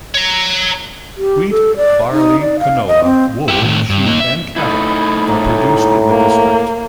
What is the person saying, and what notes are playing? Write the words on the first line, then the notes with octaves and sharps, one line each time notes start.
Wheat, barley, canola, wool, sheep and cattle are produced in the district.
C#5 A#5
G4
A4
D5
D#4
D5
F5
D#5
C4
E4 G4
A2 D#3
G2
A#3 D#4
E5
A3 D#4 E4 B5
A2 A#5
A#3